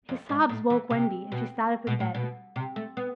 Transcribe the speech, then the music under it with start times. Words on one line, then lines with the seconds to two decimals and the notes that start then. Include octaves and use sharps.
His sobs woke Wendy, and she sat up in bed.
0.09 F2
0.29 G#2
0.49 A2
0.70 E3
0.90 C3
1.32 B2
1.87 B2
2.00 A2
2.15 B2
2.56 C3
2.76 A3
2.97 B3